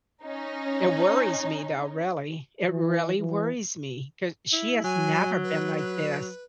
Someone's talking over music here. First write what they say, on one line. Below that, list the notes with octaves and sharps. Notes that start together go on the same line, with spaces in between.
It worries me though, really, it really worries me, 'cause she has never been like this.
C#4 D#4
E3
E3
E4
F#3 G#5
B4